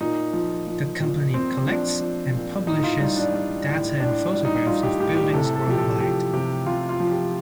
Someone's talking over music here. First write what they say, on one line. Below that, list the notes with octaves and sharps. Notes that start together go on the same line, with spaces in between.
The company collects and publishes data and photographs of buildings worldwide.
A#2 D#4
F3
F3
A#2
A#2 C4
F3 D4
F3
A#2
A2 D#4
F4
G3 D#4
D4
G3
A2
A2 D4
G3
D#4
G3 F4
G4
A2 G4
G4
C3 A4
A4
F3 G4
A4
F3 G4
C3 G4
C3 F4
F4
F3
G4